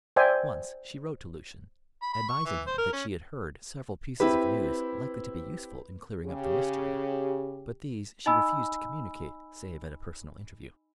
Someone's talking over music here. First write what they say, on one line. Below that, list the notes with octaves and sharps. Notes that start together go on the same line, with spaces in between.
Once she wrote to Lucian, advising him that she had heard several pieces of news likely to be useful in clearing up the mystery; but these she refused to communicate save at a personal interview.
C5 D5 E5 G5 G#5
B5
B5
C#6
E3
C5
A#4
C#4
C4 E4 G4 B4
C#3 G4
D#4 D#5 G#5 B5 E6